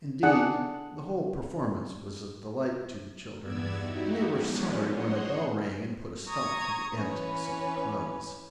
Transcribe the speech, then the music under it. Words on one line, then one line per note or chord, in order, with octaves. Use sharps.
Indeed, the whole performance was a delight to the children, and they were sorry when a bell rang and put a stop to the antics of the Clowns.
D4 G#4 F#5
E2 G2 B3 D5 E6 G#6
D#4 E4 F#4 G4
F3 F#3 G#3 B3 C#4 D4
C5 C#5 D#5 F#5 C6
A#5 C#6 D#6 G#6
E3 C#4 B4